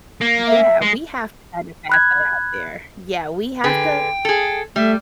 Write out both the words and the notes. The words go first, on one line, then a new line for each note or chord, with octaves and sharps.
Yeah, we have to kind of pass that out there. Yeah, we have to
A#3
E5
G#3
B5 F#6 G#6
D3 G#4 B4 G5
G#4 A4
G3 A3 E5